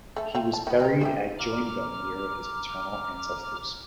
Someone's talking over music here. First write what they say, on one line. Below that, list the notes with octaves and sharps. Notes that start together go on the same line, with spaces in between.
He was buried at Joinville near his paternal ancestors.
A3 A4
A3 F4 G5
A5
D#3 B3
C4 A#4
F3 A3 G4
A#5 D6 F6